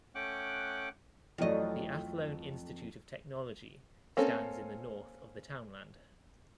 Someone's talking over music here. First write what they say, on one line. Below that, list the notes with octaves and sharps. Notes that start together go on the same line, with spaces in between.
The Athlone Institute of Technology stands in the north of the townland.
A3 C#4 F#5 G5 D6 F#6
F2 E3 F#3 A3 D#5
A#3 C4 C#4 A4